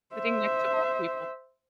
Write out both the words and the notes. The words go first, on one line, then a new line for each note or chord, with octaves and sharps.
Sitting next to old people.
C5 E5